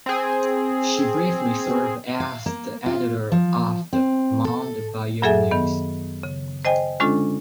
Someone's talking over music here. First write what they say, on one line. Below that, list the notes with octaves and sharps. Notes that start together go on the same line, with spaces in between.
She briefly served as the editor of the "Mound Bayou News".
C4 G#4
F5
A#3
F4
F3
C4
A4
F#2 F#3 G#4 A4 E5 G#5
D#3 B3
C#3
C5 D#5 G5 G#5
D3 G#3 C#4 D4 F4 A4